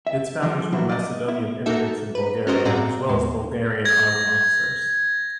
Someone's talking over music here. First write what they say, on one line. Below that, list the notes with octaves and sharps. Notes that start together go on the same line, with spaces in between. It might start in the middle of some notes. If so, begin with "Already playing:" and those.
Its founders were Macedonian immigrants in Bulgaria as well as Bulgarian army officers.
E5
D3 E3 F3 G3
F3 F#3 D4 E4 F#4
D5 D#5
E4
A#3 D#4 F#4 A4 E5
B4
C#4 D4 F#4 A#4 C5 D#5
A2 C4 F#4 G#4 D5 A#5
D#2 A2 G#3
G#6 A#6